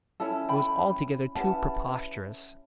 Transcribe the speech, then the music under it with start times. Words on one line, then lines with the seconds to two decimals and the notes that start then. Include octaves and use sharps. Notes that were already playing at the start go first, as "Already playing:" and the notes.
It was altogether too preposterous.
0.20 C#4 E4 A4
0.49 G5 B5
1.35 C#4 E4 G4 B4 F#5 A5